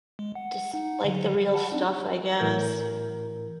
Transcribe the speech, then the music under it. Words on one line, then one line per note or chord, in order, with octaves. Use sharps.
just like the real stuff, I guess.
G#3
F#5
D#4 F#5
D3 F#3
F#5 A5 B5
C4 D4 D#4
A2 E3 A#4 G6